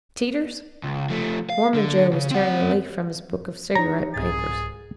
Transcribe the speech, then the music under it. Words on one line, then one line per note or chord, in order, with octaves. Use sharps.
"Teeters?" Mormon Joe was tearing a leaf from his book of cigarette papers.
C#2
F3 A3
F5
D3
C#3
C4 F#5
D#4 G4 C#5 A#5
C2 G#2 G#4 A6